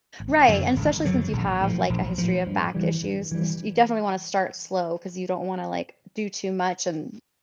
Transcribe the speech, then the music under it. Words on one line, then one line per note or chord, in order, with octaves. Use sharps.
Right. And especially since you have, like, a history of back issues, s you definitely wanna start slow cause you don't wanna, like, do too much and
G#1
F#2 D3 F#3
G#1
F#2 D3 F#3
A#1
A2 F3
A#1
A2 F3
G2
E3 G3
G2
E3 G3